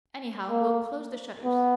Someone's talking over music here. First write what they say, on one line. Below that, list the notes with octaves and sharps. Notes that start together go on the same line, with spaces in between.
Anyhow, we'll close the shutters.
A#3
B3